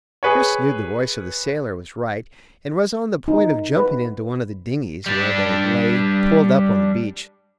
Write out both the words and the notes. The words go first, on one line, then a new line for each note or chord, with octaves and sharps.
Chris knew the voice of the sailor was right, and was on the point of jumping into one of the dinghies, where they lay pulled up on the beach.
G#4 B4 C#5
D#4
B4
G3 D4